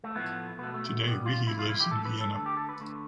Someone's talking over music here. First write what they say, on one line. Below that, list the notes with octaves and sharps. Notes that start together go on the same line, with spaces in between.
Today, Rehe lives in Vienna.
A3
A2 F3 A3 B3
B2 A3 B3
A3
A3
B2 G3 B3
F4
C3 F3 A3 E4
F4
E4
G4
A2 F3 A3 A4
B4
A4
D3 A3 A4
G4
A4
B4
D3 A3